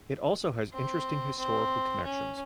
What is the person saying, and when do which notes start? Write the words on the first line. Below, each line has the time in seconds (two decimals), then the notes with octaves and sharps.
It also has interesting historical connections.
0.73 C4
1.38 C4
2.04 C#4